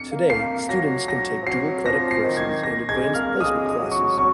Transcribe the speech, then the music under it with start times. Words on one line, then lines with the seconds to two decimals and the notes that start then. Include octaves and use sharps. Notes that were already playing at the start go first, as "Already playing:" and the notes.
Today, students can take Dual-credit courses and Advanced Placement classes.
Already playing: C#7
0.11 A#3
0.30 A#3 C7
0.69 F#3 A#6
1.08 F#3 A#6
1.42 F3
1.46 F#3 C7
1.86 F3 A#6
2.11 C7
2.23 D#3
2.37 G#6
2.63 A#6
2.89 G#3 G#6
3.14 A#3 F6
3.35 F#3
3.40 G#3 D#6
3.66 D#6
3.79 F#3
3.92 C#6
4.17 F#3 C#6